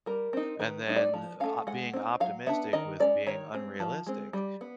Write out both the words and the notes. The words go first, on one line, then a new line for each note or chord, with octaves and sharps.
and then op being optimistic with being unrealistic,
G3 A#4
C4 D#4
D#3 B4
G3 C4 D#4
D5
F3
A3 C#4 F5
G#3 F#5
C4 D#4
F#3 F5
B3 D4 E5
D#3 D#5
G#3 C#4 D5
D#3 C#5
G#3 C4
F3
G#3 C4
G3
B3